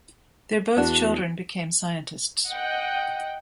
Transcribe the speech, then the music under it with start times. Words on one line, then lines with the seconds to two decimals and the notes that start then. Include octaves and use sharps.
Their both children became scientists.
0.77 E2 D4 F#4
2.49 D#5 F#5 G5